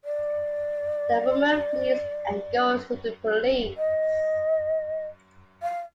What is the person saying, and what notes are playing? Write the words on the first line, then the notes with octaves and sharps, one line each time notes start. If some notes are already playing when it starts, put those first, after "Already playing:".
The woman flees and goes to the police.
D5
D#5
F5